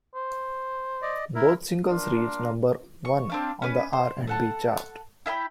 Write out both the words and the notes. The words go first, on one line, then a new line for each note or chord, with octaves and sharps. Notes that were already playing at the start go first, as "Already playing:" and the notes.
Both singles reached number one on the R and B chart.
C5
D5 D#5
E4 A#4
D4 F4 A#4
C#6
C4 D4 F5
C#4 B4
C5
A4 F#5 A5
E4 E5 G5 B5